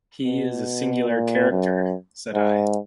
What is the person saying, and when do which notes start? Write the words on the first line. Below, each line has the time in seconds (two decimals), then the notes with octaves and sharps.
"He is a singular character," said I.
0.24 B2
1.09 A#2
1.50 F#2
2.34 G#2